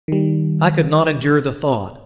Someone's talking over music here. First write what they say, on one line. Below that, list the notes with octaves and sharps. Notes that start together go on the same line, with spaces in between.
I could not endure the thought.
D#3 G3